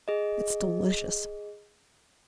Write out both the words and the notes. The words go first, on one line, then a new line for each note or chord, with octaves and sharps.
It's delicious.
G#4 D#5